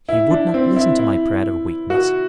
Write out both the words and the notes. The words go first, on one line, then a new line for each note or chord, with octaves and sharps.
He would not listen to my prayer of weakness.
E4
D4
C4
E4
E4
F#4